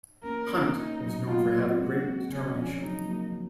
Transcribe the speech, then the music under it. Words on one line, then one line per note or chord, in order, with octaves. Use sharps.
Hunt was known for having great determination.
A#3 C#4 A#4
A#3 C#4
A#3 C#4 D#4
F#3 A#3
G#3 F4
F#3 A#3
F#3 A#3
G#3 C4
A#3 C#4 F#4
G#3 C4
C#3 C#4
F3
F#3 D#4
F#3 A#3
F3